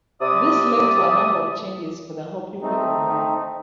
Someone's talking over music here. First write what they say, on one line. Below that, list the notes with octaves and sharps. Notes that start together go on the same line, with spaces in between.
This led to a number of changes for the Hopi way of life.
C3 D5 E5 D#6
A3 C4 D#4